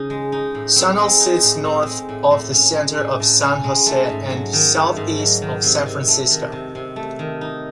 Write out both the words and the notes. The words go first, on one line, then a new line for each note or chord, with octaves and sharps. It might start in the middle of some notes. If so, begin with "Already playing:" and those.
Sunol sits north of the center of San Jose and southeast of San Francisco.
Already playing: C#3 D#4
G#3
D#4
A2
C4
G#3
D#4
A2
C4
G#3
A2
A2
C#4
G#3
A2
A2
C#4
G#3
A3
G#2
F#3
D#3
A3
G#2
F#3
D#3
C3
C3
A3
D#3
C3
C3
A3
D#3
D#4